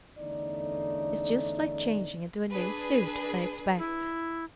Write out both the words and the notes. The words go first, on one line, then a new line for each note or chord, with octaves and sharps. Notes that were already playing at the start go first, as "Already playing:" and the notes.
It's just like changing into a new suit, I expect.'
E2 D3 A3 C#4 D#4 D5
D4 G#4 B4
E4